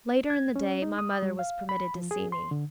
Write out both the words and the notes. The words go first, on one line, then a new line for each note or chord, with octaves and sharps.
Later in the day, my mother was permitted to see me.
G#6
C#4
D#4
D#6
G3
F5
B5
F3
G#4
C6
D3